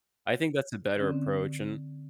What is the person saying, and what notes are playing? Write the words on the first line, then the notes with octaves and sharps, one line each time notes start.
I think that's a better approach, and
D3 C4 C#4